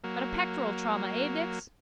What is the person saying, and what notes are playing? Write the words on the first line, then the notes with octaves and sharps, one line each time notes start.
Got a pectoral trauma, eh, Dix?
F#3 A#3